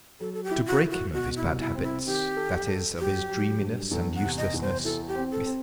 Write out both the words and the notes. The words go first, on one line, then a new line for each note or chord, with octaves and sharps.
To break him of his bad habits--that is, of his dreaminess and uselessness--Mrs.
F#3 A4
A4
G4
E4
F#4
E4
F#4
B2 F#4
E4
C2
E4
C4
E4
D#3 G4
A4
A4
F#3 G4
F#3
G2
E2 A4
F#5
C3
D#5
E2
C5
E4 A4
G4
C4
A4
C4